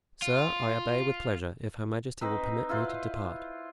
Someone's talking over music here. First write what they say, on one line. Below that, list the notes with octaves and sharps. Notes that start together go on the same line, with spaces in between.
"Sir, I obey with pleasure, if her majesty will permit me to depart."
F4
C4 D#4 B4
E4 F4 B4 C5